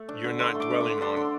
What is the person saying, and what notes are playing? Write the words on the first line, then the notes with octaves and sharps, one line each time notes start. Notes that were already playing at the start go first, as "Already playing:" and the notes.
you're not dwelling on
Already playing: A3
D4
D3
D3 C6
A3
D6
D4
D6
D3
D4 C6
D3